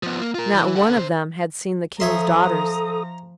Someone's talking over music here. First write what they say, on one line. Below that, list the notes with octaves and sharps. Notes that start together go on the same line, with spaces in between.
Not one of them had seen the King's daughters.
F3 B3
A#3
F4 A#4
E3
A4 F#5
C3 C5
F3 A4 C#5 E5 A#5 C6 D#6